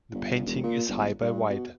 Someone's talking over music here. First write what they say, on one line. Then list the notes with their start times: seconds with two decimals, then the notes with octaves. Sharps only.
The painting is high by wide.
0.14 G1
0.47 E1
0.64 A#2
0.88 G1
1.22 G2
1.49 B2